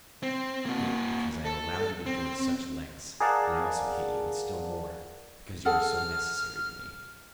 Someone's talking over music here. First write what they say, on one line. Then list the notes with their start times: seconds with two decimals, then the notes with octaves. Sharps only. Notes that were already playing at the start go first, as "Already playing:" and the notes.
I hate you because I have allowed you to go to such lengths, and I also hate you and still more--because you are so necessary to me.
0.23 C4
0.66 A#3 F#4
1.45 A4
2.06 C4
3.20 G#4 A#4 D5 F5 F#5 A5
5.65 G#4 A4 F#5 F6